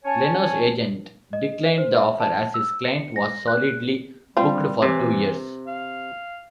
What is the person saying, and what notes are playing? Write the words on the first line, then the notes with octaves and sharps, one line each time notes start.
Leno's agent declined the offer, as his client was solidly booked for two years.
C#4 C#5 G#5 A5
D#5
C5
E5
A5
E6
C#7
A#6
F#6
G3 C4 F4
C3 E3
F5